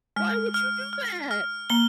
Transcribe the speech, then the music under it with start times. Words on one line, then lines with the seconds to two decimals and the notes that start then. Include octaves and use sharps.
Why would you do that?"
0.16 G#3 F6
0.54 F6
0.93 F6
1.31 F6
1.70 A#3 G7